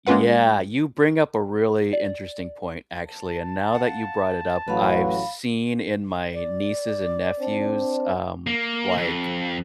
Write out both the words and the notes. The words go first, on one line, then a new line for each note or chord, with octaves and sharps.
Yeah, you bring up a really interesting point, actually, and now that you brought it up, I've seen in my nieces and nephews, um, like,
G#3 A#3 C#4 F4 B4 F#5
D5
A5
F5 F#5
A1 A2 F#3 A3 B4 F5 B5
D5
C4 D4
A#3
F2